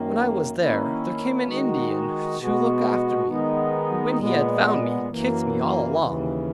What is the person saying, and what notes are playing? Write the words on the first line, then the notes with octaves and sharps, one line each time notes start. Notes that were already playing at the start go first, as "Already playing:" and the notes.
When I was there, there came an Indian to look after me, who when he had found me, kicked me all along.
Already playing: F#2 D#3 A#3
D#3 A#3 C#4 E4
D#3 G#3 D#4 F#4
B2 G#3 B3 F#4
D#3 G#3 B3 D#4
A#2 G#3 B3
F#2 E3 A#3
D#2 C#3 E3